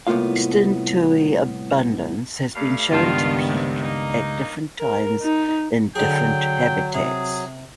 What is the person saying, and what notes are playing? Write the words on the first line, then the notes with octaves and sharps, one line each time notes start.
Eastern towhee abundance has been shown to peak at different times in different habitats.
C2 A2 A#3 B3 F4 F5
G2 A3 F5
C#2 G2 D#3 B3 F4 G4 A5
C3
A#3 D#4
A#4
D#4
D3 F#3 G#4 G5
C3 G#4